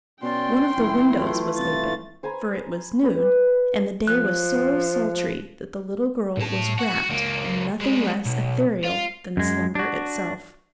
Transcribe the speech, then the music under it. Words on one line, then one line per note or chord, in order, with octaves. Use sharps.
One of the windows was open, for it was noon, and the day was so sultry that the little girl was wrapped in nothing less ethereal than slumber itself.
B2 C#4 D5 G5 C6
F1 E4
E3 F#3 A3 F4
C2 A6
C5 G#5 A#5 B5
B4
F3 F#6
A2 A5
F#4 F#5
C#2 A#3
G3 G#3
B1
F4
F#2 G#3
D4 F#4